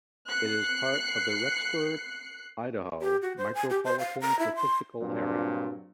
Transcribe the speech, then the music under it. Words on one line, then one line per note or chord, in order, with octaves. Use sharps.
It is part of the Rexburg, Idaho Micropolitan Statistical Area.
F#6 C7 C#7
G4
F#4
C5
G#5
G4
C5
F5
A#5
E4
C6
G2 A#2 F#3 C4 D4 F4